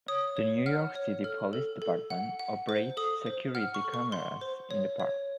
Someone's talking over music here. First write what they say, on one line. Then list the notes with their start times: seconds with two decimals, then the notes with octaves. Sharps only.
The New York City Police Department operates security cameras in the park.
0.08 C#5 D#6
0.37 C#5
0.66 F#5 F6
0.95 C#5
1.24 A4 F6
1.53 A4
1.82 A4
2.10 F#5
2.39 F#5
2.69 C5
2.97 A4 D#6
3.26 C5
3.55 F#5 F6
3.74 C#6
3.84 A4
3.94 C#6
4.12 F#5 C6
4.41 C5
4.71 C#5
5.00 C#5